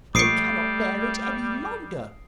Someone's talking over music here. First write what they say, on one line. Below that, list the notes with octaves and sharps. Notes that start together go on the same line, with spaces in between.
I cannot bear it any longer!
A#1 G3 A3 C#6 D#6 C7 D7